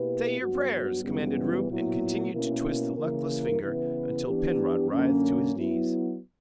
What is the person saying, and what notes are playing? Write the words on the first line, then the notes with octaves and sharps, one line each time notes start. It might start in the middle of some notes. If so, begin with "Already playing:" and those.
"Say your prayers!" commanded Rupe, and continued to twist the luckless finger until Penrod writhed to his knees.
Already playing: B2 A#3 E4 G4 B4
G2 F#3 B3 F#4
F#2 C#3 E3 G3 B3
A#2 F#3 B3 E4
B2 A#3 C#4 E4 A#4
C#3 E3 A#3 E4 A#4
C#3 E3 B3 E4 B4
E3 B3 D4 G4
F#2 D3 A#3 C#4
F#3 B3 E4